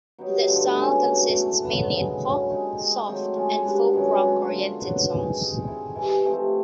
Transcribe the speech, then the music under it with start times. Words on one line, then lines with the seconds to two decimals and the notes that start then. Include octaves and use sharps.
Their style consists mainly in pop, soft and folk rock oriented songs.
0.19 F#3 B3 D#4 G4
0.48 G2 D3 F3 A3
0.76 B2 G#3 C#4 E4
1.05 B2 F#3 A3
1.34 E3 A3 C4
1.63 F#3 B3 D4
1.91 C#3 E3 G#3
2.20 D3 F#3 A#3 C#4
2.49 G#3 C4 D#4
2.78 G#3 C4 D#4
3.07 D#3 F#3 A3 C4
3.35 F3 G#3 C#4 F4
3.65 G3 B3 D4 F#4
3.94 F#2 D#3 G#3 C#4
4.22 F#3 A3 D4 F4
4.51 D3 F3 A#3
4.80 D#3 F#3 B3 D4
5.09 G#2 D#3 G#3 C4
5.37 D#3 G#3 C4
5.67 G#3 C4 E4 A4
5.95 C3 E3 G#3
6.24 C3 F3 A3 C4